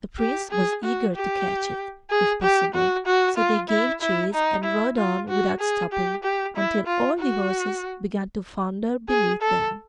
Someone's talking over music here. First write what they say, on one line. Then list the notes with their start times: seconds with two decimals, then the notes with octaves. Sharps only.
The Prince was eager to catch it, if possible, so they gave chase and rode on without stopping until all the horses began to founder beneath them.
0.19 G4
0.51 G#4
0.84 F#4
1.15 G4
2.10 G#4
2.43 G4
2.74 F#4
3.06 F#4
3.37 F4
3.70 E4
4.01 E4
4.33 D#4
4.64 E4
4.97 F4
5.28 F#4
5.60 G#4
5.92 G4
6.24 G4
6.56 E4
6.87 F4
7.20 F#4
9.09 G#4
9.42 A4